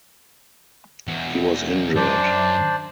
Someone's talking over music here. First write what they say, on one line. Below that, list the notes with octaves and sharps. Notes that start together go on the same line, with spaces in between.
He was injured.
E2 F#4
F#2 D4 C5 D5